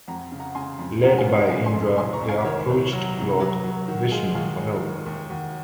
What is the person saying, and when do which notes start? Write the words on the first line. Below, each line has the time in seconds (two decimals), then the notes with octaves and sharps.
Led by Indra, they approached Lord Vishnu for help.
0.08 F2 F#5 A#5
0.32 C#3
0.40 F#5 A#5
0.55 C#3 G#5 C6
0.79 F2
1.03 C#3 F#5 A#5
1.18 F5 G#5
1.27 C#3
1.34 D#5 F#5
1.50 C#3 F5 G#5
1.66 G#5 C6
1.74 F2
1.98 C2 G#5 C6
2.13 A#5 C#6
2.21 C2
2.29 F5 G#5
2.45 D#3 A#4 C#5
2.69 C2
2.93 F#3
3.17 C2
3.40 F#3
3.64 F#3
3.88 D#3 F#4
4.11 G#3 F4 G#4
4.35 D#2 F4 G#4
4.59 G#3
4.83 D#3
5.06 D#2
5.30 D#2 F#4